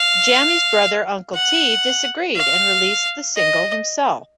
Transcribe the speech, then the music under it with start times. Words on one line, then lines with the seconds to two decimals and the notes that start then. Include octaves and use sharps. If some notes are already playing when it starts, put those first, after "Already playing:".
Jammy's brother Uncle T disagreed and released the single himself.
Already playing: F5
1.34 F#5
2.35 F5
3.37 D#5